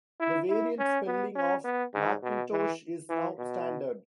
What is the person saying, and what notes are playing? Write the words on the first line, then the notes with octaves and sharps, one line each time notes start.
The variant spelling of "Mackintosh" is now standard.
E4
E4
C#4
B3
C#4
B3
G#2
B2
E3
E3
B2